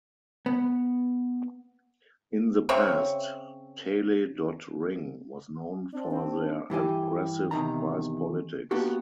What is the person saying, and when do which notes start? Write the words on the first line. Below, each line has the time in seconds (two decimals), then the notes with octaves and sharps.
In the past, tele.ring was known for their aggressive price-politics.
0.46 B3
2.69 C#3 C4 C#5 E5
5.93 C4 D4
6.11 C4 D4
6.70 G2 E3 G4 G#5
7.51 E2 C3 D#3 A#5
8.71 A#3 B3 D4 F#4 G4